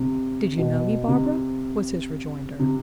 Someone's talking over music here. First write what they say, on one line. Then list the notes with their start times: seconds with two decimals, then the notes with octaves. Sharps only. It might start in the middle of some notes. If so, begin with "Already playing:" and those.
"Did you know me, Barbara?" was his rejoinder.
Already playing: C3
0.58 B2
1.08 C3
2.59 C3